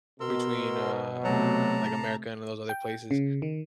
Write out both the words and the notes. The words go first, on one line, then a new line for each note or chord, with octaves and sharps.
between, uh, like, America and those other places
B2 A#4 C6 E6
C3 F#3 A3 A5 A#5
G5
C#3
D#3